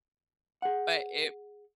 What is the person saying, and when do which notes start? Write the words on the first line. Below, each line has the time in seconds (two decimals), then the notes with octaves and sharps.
But it
0.62 G#4 F#5